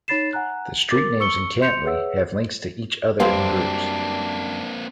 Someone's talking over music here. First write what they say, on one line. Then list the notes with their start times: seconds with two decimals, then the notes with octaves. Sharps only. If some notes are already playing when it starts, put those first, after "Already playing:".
The street names in Cantley have links to each other in groups.
0.08 D#4 C#5 B5 A6 C7 E7
0.33 F#5 G#5 A#5 F#6
0.90 A#4 D6 A6
1.20 C#6 E6 C#7 G7
1.62 C6 G6 C#7 F7
1.84 G#4 B4 C#5 E5 F#5 E6
3.20 F#2 G3 A#3 C4 D4 B4 C5 F5